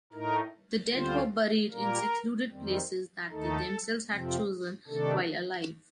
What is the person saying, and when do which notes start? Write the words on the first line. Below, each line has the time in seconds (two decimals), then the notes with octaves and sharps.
The dead were buried in secluded places that they themselves had chosen while alive.
0.13 A2 A3 D#4 A#4
0.91 D2 D3 G3 C4 F4 C5
1.71 A#2 G3 A#3 A#4
2.50 F2 D#3 G3 C4
3.30 D#2 D#3 A3 D#4 A4
4.08 F2 C3 F3 C4
4.88 C3 D#3 A3 D4 A4